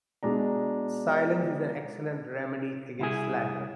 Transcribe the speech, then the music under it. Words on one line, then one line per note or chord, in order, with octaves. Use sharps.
Silence is an excellent remedy against slander.
B2 G#3 D4 A#5
C2 E4 G#4